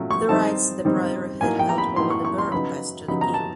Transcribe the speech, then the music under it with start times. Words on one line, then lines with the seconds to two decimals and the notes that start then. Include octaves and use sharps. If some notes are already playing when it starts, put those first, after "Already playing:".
The rights the priory had held over the borough passed to the king.
Already playing: A#2 F#3 A3 C#4
0.11 C#6
0.29 D#3 G3 C4 D#4 A5
0.85 D#3 G3 C4 D#4
1.41 A2 F#3 A#3 D#4 G#5
1.59 G5
1.69 A#5
1.78 B5
1.96 A2 F#3 A#3 D#4 C6
2.10 C#6
2.25 C#6
2.38 C6
2.52 C#3 F#3 B3 D#4 B5
3.08 C#3 F#3 B3 D#4 B5
3.21 A#5
3.34 A5